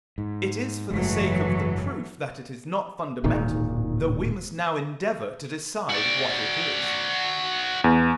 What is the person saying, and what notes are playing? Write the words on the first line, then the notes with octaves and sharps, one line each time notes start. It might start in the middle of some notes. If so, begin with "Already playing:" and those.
It is for the sake of the proof that it is not fundamental that we must now endeavour to decide what it is.
G#2
F#1 G#2 E3 F#3 G#3 A3
D1 G#1 A#2 D#3
F#4 D5
E2